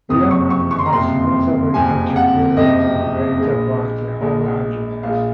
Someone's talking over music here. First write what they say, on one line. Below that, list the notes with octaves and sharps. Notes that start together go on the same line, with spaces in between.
Earman has notably contributed to debate about the "hole argument".
F#1 F2 C3 D#6
C#6
C#6
C#6
C6
A#5
F#1 F2 C3 C6
F#1 F2 C3 G#5
F#5
F#1 F2 C3 D#5
A#1 A#2 G#3
A#1 A#2 G#3
A#1 A#2 G#3 F5